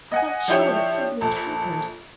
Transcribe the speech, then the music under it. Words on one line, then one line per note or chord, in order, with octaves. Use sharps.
I felt sure that something had happened.
D#5 F#5 G#5
F3 D4 E4 G4 C#5
A#1 A4